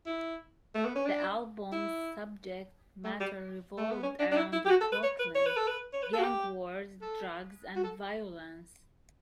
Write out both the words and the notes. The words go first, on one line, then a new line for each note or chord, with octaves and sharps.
The album's subject matter revolved around Brooklyn, gang-wars, drugs, and violence.
E4
A3
B3
C#4
D4
E4
A3
G3
A3
B3
C#4
D4
D4
E4
E4
G4
F#4
A4
B4
C#5
B4
C#5
B4
A4
B4
C#5
B4
A4
F#4
G4
A4
F#4
A4